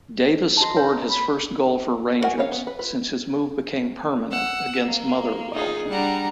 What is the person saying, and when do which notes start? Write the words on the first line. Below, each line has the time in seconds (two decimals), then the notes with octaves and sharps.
Davis scored his first goal for Rangers, since his move became permanent, against Motherwell.
0.57 F#4 D#5 A5 A#5
0.77 B4 C#5
1.07 B5
2.21 D4 F#4 A#4 F#5 G#5
2.38 A#3 C#4 C#5 F5
2.52 B3
2.67 B4
2.79 F4 B4
4.31 F#5 E6
4.86 A#3
5.54 D#4 F4 G#4
5.89 G3 D4 F#5 A#5